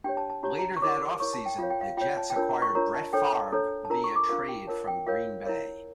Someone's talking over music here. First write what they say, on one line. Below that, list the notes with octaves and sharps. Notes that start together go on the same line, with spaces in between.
Later that offseason, the Jets acquired Brett Favre via trade from Green Bay.
D4 G4 C#5 G5
A5
A5
D4 G4 C#5 A#5
A5
A#5
C#6
E4 A#4 C#5 D6
E4 A#4 C#5 C#6
A5
G5
F4 C#5 F5
G5
F5
F4 C#5 G5
A5
G5
D4 F4 A#4 C#5 A5
A#5
C#6
D4 F4 A#4 C#5 A#5
A5
D4 A4 C#5 G5
A#5
A5
D4 A4 C#5 A#5
A5
D4 F4 A#4 A#5
C#6
D6
D4 F4 A#4 F5
G5
F4 A#4 C#5 A5
G5
F4 A#4 C#5 F5
E4 A#4 C#5